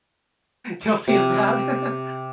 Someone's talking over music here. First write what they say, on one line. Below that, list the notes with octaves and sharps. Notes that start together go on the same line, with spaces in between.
guilty of that.
C3